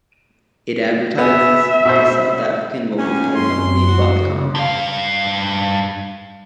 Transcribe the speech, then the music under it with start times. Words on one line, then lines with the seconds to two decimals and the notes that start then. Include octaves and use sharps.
It advertises the South African mobile phone company Vodacom.
1.18 B3 G#4 E5
1.85 B2 C5
2.99 D#2 C#4 G#5
3.35 F#2 C6
3.87 F#4
4.20 C#3
4.55 G2 F5